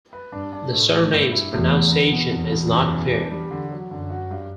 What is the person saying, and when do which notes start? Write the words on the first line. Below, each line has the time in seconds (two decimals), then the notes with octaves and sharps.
The surname's pronunciation is not clear.
0.13 B4
0.32 G2 D4
0.53 D4
0.72 A2 A3
0.92 A3
1.12 G2 E4
1.32 E4
1.52 E2 A2
1.72 B3
1.92 B3
2.12 B2
2.31 E2 B2
2.51 B2
2.71 F#2
2.92 E3
3.11 D4
3.31 G3
3.51 D3
3.71 F#3
3.91 F#2 D3
4.10 F#4
4.31 G2